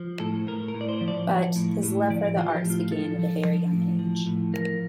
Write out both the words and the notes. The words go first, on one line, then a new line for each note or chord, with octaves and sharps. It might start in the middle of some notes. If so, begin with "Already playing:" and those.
But, his love for the arts began at a very young age.
Already playing: F3
A2 A4
A2 A#4
A#4
A2
D5
C5
F3
D5
F3
A2
A2
F3 D5
F3 F4
G4
A2
F4
F3 A4
F3
F3
A2
F3
A2
F3 A#4